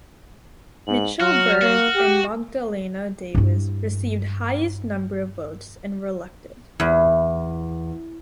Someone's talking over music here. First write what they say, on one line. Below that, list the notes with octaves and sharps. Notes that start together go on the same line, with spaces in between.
Michal Berg and Magdalena Davis received highest number of votes and were elected.
G#2 F#7
F#3 F#4 F6
A#3 F#4
G4
G2 E4
E2